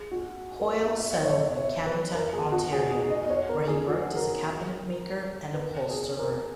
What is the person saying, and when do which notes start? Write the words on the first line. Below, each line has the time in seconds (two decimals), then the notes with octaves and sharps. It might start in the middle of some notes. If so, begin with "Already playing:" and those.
Hoyle settled in Cannington, Ontario, where he worked as a cabinet maker and upholsterer.
Already playing: G#4
0.11 F#4
0.60 A#4
0.79 E5
0.98 E5
1.12 D#5
1.25 C#5
1.38 D#5
1.57 C#5
1.86 B4
2.15 A#4
2.33 G#4
2.52 F#4
2.73 G#4
2.91 G#4
3.10 D#5
3.24 D#5
3.30 C#5
3.49 A#4
3.68 G#4
3.88 F#4
4.12 G#4
4.16 A#4
5.53 B4
5.62 A#4
5.91 G#4
6.19 A#4